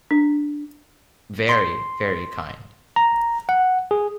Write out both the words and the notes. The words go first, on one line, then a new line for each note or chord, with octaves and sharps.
Very, very kind.
D4
C6
A#5
F#5
G#4